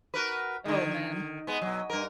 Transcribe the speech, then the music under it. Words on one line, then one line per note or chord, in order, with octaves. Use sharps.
Oh man.
F#4 A#4 B4
D3 D#3
G#3 B3
B2 F#3
G2 A#4